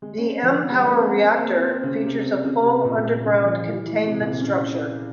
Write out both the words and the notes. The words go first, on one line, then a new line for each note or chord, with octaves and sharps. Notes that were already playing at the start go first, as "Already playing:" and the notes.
The mPower reactor features a full underground containment structure.
G#3
C#4
C4
F3
F3
G#3
G3
A#3
C4
C4
C4
A#3
C4
C4
C#3
C3
C3
C#3
C3
A#2
A#2
C3
C#3
F3
E3
E3
C3
A#2
C3
C#3